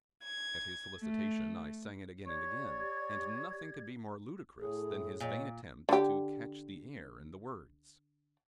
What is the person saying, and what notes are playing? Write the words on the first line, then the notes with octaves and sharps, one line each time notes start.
At his solicitation I sang it again and again, and nothing could be more ludicrous than his vain attempts to catch the air and the words.
G#6
A3
G4 C#5 D5 G#6
A2 G#4
A#2 C#5 D#5
D3 G4